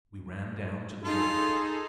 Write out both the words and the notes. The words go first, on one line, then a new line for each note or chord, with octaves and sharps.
We ran down to the water.
D#4 F4 G#4 A4